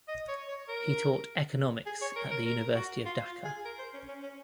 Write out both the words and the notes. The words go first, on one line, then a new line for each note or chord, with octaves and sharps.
He taught economics at the University of Dhaka.
D#5
C#5
C#5
A#4
G#4
C#5
A#4
A#4
A#4
F#4
F4
F4
G#4
A#4
C5
C#4
C#4
C#4